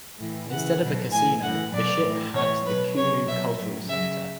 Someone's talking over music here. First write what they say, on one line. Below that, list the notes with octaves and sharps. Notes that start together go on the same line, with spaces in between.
Instead of a casino, the ship had the Kumu Cultural Center.
A2 E3
C#3 E3 F#5
B2 F#3
A2 E3 G#5
A2 E3 F#5
B2 F#3 D5
A2 E3
A2 E3 C#5
B2 F#3 B4
C#3 F#3 C#5
B2 F#3 E5
A2 F#3
C#3 F#3 E5